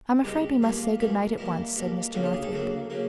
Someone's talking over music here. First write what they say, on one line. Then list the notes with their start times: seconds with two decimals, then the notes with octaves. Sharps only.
"I'm afraid we must say good night at once," said Mr. Northwick.
0.24 C2 B2 G#3 G4
0.62 B2 G3 A#3 F4
0.99 B2 G3 A#3
1.38 B2 G3 A#3 E4
1.76 B2 G3 A#3
2.14 D2 C#3 F#3 A#3 F4
2.24 G4
2.33 G#4
2.43 A4
2.52 D2 C#3 F#3 A#3
2.90 C#3 F#3 A#3